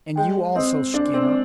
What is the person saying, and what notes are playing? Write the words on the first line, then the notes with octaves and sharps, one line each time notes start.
And you, also, Skinner?
G#3 G5
C4 D#5
D4 D5
C4